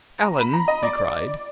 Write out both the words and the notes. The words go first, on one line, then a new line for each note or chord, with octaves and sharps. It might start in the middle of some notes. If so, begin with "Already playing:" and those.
"Alan!" he cried.
A#5
B5
A#5
D#5
D5